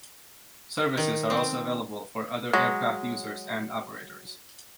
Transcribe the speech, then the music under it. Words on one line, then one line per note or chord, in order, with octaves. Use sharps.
Services are also available for other aircraft users and operators.
D#3
C4
F#3 G#3